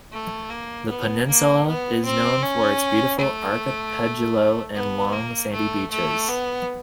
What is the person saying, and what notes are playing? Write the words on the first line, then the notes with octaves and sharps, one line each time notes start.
The peninsula is known for its beautiful archipelago and long sandy beaches.
A3
A#3
B3
A#3
B3
C4
C#4
A3
B3
A#3
A3
A3
B3